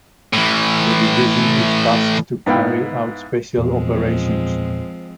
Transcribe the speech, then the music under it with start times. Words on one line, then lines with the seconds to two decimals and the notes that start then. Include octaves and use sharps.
The division is tasked to carry out special operations.
0.33 A2 E3
2.47 G#2 B3 E4 F5 G5
3.57 E2 A#2 F3 G#3 C4